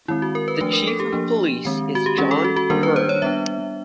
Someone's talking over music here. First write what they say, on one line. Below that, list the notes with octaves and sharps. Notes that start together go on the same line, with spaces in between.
The Chief of Police is John Hearn.
D#3 G#3 C4 E4
F#4
A#4
B4
F3 A3 D4 B4
A#4
A4
G4
F3 A#3 D4
D#3 G#3 C4
F#4
G4
E3 G#3 C#4 G#4
A4
F#4
F#4
D#3 G3 A#3 D4 A#4
B4
C5
C#5
G3 B3 D4 E5